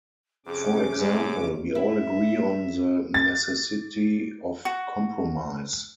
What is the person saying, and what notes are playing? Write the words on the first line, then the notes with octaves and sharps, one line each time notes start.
For example: We all agree on the necessity of compromise.
F2 C3 C#4 G#4 D6
F#2
E4 E5
A6
F#4